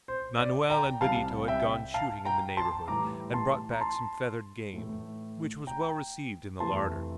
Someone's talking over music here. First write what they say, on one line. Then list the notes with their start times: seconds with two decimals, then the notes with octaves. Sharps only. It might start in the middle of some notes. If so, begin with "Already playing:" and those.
Manoel and Benito had gone shooting in the neighborhood, and brought back some feathered game, which was well received in the larder.
0.08 C5
0.39 D5
0.70 G5 A#5
1.01 C2 C3 G3 F5 A5
1.48 E5 G5
1.94 F5 A5
2.25 G5 A#5
2.57 A5 C6
2.88 A2 E3 G3 A#5 D6
3.34 A5 C6
3.71 A#5
3.81 A5 C6
4.74 A2 E3 A3
5.67 G5 A#5
6.60 F2 C3 E3 A3 A5 C6